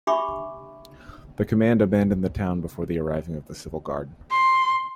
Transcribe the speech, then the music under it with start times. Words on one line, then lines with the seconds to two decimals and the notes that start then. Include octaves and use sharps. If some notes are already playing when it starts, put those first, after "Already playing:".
The command abandoned the town before the arriving of the Civil Guard.
0.07 D4 G4 E5 B5 C#6 D6
4.31 C6